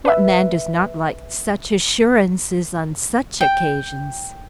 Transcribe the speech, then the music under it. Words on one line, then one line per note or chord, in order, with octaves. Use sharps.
What man does not like such assurances on such occasions?
B4 E5
G5